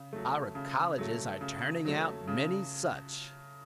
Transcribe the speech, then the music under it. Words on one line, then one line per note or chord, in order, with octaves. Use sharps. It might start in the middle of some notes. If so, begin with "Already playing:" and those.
"Our Colleges are turning out many such."
Already playing: C#3
F#3 A3
C#3
F#3 A3
C#3
F#3 A3
C#3